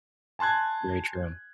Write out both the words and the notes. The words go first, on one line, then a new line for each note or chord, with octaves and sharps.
very true.
G#5 A5 C6 F#6 G#6